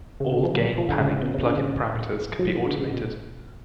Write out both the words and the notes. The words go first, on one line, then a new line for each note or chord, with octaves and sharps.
All gain, panning and plug-in parameters can be automated.
C#3
D3
F3
F#3
F3
D3
C#3
C#3
B2
C#3
D3
C#3
F#3
F3
D3
C#3
B2